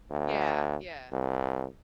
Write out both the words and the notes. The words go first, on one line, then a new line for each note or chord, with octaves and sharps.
Yeah, yeah.
D2
C2